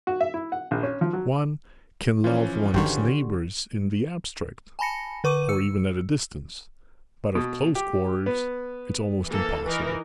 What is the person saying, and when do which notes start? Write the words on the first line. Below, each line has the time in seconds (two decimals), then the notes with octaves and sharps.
One can love one's neighbors in the abstract, or even at a distance, but at close quarters it's almost impossible.
0.07 F#4
0.21 E5
0.34 E4
0.52 F#5
0.71 A#1
0.83 C#4
1.01 F3
1.13 F#3
2.24 E3 F3 C#4 F4
2.74 G#1 D3 D#3 F#4 G4 G5 C6 C#6
4.79 G#5 A5 B5 A#6 C#7
5.24 D3 B4 C#6 D6 D#7
5.49 E6 C#7
7.35 B2
7.75 G4
8.26 B3
9.27 E3 A#3 A4
9.64 E3 D#4 A#4